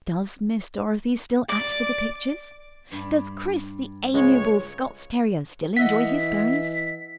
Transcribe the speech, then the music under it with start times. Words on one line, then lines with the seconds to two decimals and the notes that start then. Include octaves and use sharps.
Does Miss Dorothy still act for the pictures? Does Chris, the amiable Scots terrier, still enjoy his bones?
1.49 D5 D6
2.91 G2 B5
4.14 C#2 G#3 C#5
5.76 E3 D#5 E5 F#5 B6